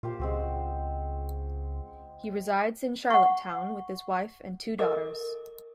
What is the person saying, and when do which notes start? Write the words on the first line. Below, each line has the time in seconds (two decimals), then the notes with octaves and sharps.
He resides in Charlottetown with his wife and two daughters.
0.03 A#2 F4 G4 C5
0.20 C#2 G#3 C4 F#4
3.10 F#5 C#6
4.79 A4 A#4 D#5 D6